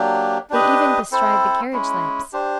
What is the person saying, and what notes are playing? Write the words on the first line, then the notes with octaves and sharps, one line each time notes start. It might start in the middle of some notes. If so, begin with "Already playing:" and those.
They even bestride the carriage lamps.
Already playing: F#3 A#3 D4 G4
D4 G4 B4 D#5
C4 E4 A4 C5
G#3 C#4 E4
D4 G4 C5